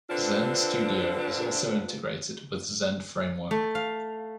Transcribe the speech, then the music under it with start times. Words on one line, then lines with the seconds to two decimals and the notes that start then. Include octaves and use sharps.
Zend Studio is also integrated with Zend Framework.
0.10 D3 C4 D4 F4 B4
3.51 A3
3.75 F5